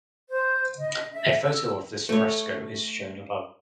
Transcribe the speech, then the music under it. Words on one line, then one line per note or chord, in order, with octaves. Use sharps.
A photo of this fresco is shown above.
C5
D#5
E5
E6
A3 C#5